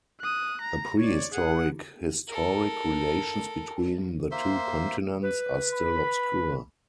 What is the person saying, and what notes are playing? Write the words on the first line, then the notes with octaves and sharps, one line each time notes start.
The prehistoric historic relations between the two continents are still obscure.
D#6 F#6
A#5
C#5 D5
G#4 F#5
A4 A#4
A#3 C5 E5 C6
B4
B5